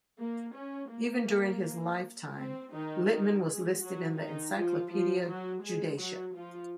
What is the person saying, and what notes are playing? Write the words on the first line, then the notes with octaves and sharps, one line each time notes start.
Even during his lifetime, Littmann was listed in the Encyclopaedia Judaica.
A#3
C#4
A#3
C4
D#3 D#4
D#3 D#4
G#3 G#4
F#3 F#4
D#3 D#4
F3 F4
F3 F4
F#3 F#4
G#3 G#4
F#3 F#4
F3 F4